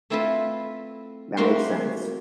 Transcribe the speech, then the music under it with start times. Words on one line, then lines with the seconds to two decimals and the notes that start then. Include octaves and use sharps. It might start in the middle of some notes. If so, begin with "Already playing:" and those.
That makes sense.
0.10 A3 C4 E4 F4 A4 B4
1.37 G3 A3 A#3 C4 F#4 C6